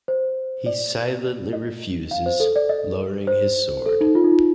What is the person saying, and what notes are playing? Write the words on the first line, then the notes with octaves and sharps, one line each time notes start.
He silently refuses, lowering his sword.
C5
D5
D#5
F5
C5
A4
D5
D#5
C5
A4
D#4
F4
D#4
F4